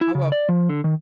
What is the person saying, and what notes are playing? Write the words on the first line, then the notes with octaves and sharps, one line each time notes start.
How 'bout
E4
C#3
D5
F3
D3
D#3